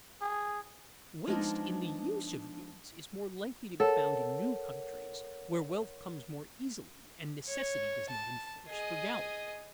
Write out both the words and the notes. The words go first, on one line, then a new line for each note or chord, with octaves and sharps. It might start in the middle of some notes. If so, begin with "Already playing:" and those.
Waste in the use of goods is more likely to be found in new countries where wealth comes more easily and necessity does not enforce frugality.
G#4
F3 G#3 B3 D4 D#4
A4 A#4 C#5 F#5
C#5
A5
G#4 D#5